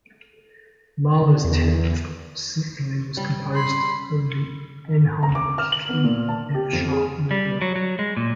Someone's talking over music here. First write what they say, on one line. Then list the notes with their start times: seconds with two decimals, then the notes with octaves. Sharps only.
Mahler's Tenth Symphony was composed in the enharmonic key of F-sharp major.
1.22 D3
1.45 E2
3.17 G3
3.55 B5 C6
5.23 A#5
5.35 D6
5.58 F6
5.72 F#7
5.89 B3
6.04 A#2
6.29 A5
6.54 G4
6.73 F2
6.91 G#4
7.31 G3
7.62 F#3
7.76 F#3
7.99 G#3
8.17 A#2